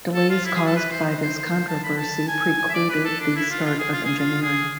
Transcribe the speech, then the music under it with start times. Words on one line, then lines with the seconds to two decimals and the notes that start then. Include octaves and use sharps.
Delays caused by this controversy precluded the start of engineering.
0.14 A4
0.30 F4
0.45 E4
0.55 G#4
0.66 A4
0.75 B4
0.90 C5
1.06 C5
1.22 C5
1.36 C5
1.68 A5
1.83 B5
1.97 A5
2.28 G#5
2.59 G#5
2.69 E5
2.74 D5
2.89 B4
3.04 A4
3.20 D4
3.36 E4
3.51 F4
3.66 F4
3.79 G#4
3.92 F4
4.05 G#4
4.18 F4
4.42 G#4